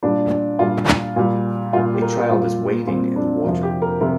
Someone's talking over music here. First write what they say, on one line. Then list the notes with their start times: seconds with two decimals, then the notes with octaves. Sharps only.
A child is wading in the water.
0.03 A#2 G3 D4
0.59 A#2 G3 F4
1.16 A#2 G3
1.73 G3 F4
1.77 A#2
1.94 G4
2.02 A#4
2.16 G4
2.30 A#2 G3 F4
2.87 A#2 G3 C4
3.16 D4
3.44 F2 C3 F3 A#4
3.63 G4
3.82 A#4
4.01 C3 F3 A#4